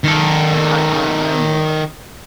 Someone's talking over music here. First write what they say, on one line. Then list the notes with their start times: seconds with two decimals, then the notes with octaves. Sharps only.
Like, I I I am a
0.04 D#3 A4